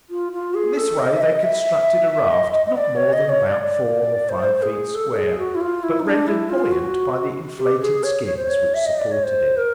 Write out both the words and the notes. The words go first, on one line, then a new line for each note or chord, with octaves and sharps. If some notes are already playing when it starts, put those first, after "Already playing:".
In this way they constructed a raft not more than about four or five feet square, but rendered buoyant by the inflated skins which supported it.
F4
F4
G#4
A4
D#5
E5
D#5
E5
D#5
D#5
D#5
D5
C#5
D#5
C#5
D5
D5
C5
G#4
A4
A4
G#4
F#4
E4
F4
E4
D#4
D4
E4
F4
F#4
G4
G#4
C#5
C#5
C5
C#5
E5
D#5
D5
C#5
C5
A#4